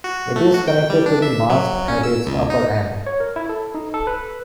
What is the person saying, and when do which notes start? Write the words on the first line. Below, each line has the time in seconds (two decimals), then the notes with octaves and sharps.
It is connected to the mast at its upper end.
0.04 F#4
0.36 A3
0.54 F#4
0.68 G5
0.90 G3
1.06 D4
1.22 E5
1.50 F#3
1.88 C#4
2.03 E6
2.27 C#2
2.50 D#4
3.06 C#5
3.20 A#4
3.36 E4
3.49 A4
3.75 D#4
3.94 A4
4.07 B4